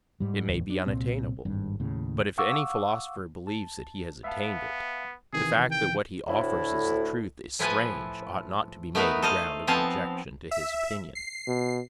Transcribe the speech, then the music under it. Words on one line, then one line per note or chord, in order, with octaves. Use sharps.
It may be unattainable, but if any philosopher believes that he has attained it, the fact that what he offers as the truth is strange ought not to be made a ground of objection to his opinion.
G#2 G3
A1 D#2
D4
C2 A#2 C4
G#1 G2
D#2 A2 C#3
F5 F#5 C#6 D6 E6
A5
B3 E5 F5 A5
C3 D#3 E3 G#4
G5
D2 A2 E4
A2 F3 E4 F4 B4 G#5
A3 B3 D#4 A#4 B4
A4 C5 D#5 F5
F3 B3 C4 F5 G#5 A5
E5
C7
B2